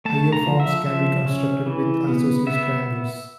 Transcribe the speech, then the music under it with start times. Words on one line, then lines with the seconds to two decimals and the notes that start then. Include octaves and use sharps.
Higher forms can be constructed with isosceles triangles.
0.05 A3 A5
0.32 A#5
0.46 F3
0.60 E5
0.86 F3 E5
1.26 C#4
1.66 E3
2.07 B3
2.47 B3 E5